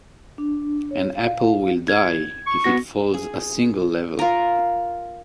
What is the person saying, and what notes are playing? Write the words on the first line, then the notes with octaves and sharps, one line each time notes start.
An apple will die if it falls a single level.
D4
C#5
F5
G#6
C#6
B3 F#4 A#6
G#4
F4 A#4